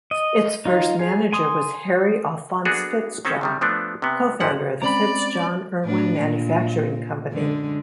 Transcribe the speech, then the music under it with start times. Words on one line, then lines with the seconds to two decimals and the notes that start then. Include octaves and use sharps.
Its first manager was Harry Alphonse Fitzjohn, co-founder of the FitzJohn-Erwin Manufacturing Company.
0.11 D#5
0.66 D#4 F4
0.99 G#4
1.32 G#5 C6 D#6
2.65 A#3 B3 D4 F#4 G#4 A4
3.25 D#3 C4 C#4 A4
3.41 C3 D#3 G3
3.61 F3 A3 B3 D4
4.02 C3 B3
4.40 G#1 F#2 F3 E4 F#5
4.82 G#3 C4 C#4 D5 A#5 B5
5.84 A2 D4 B4
6.20 A#2
7.31 F#2 D3 G#3